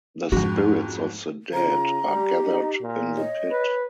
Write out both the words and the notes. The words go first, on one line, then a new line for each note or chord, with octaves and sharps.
The spirits of the dead are gathered in the pit.
F2 G#2 D4 F#4
C#3 F4 A#5
G3 G4
D#4
A#2
C#5 D#5
B4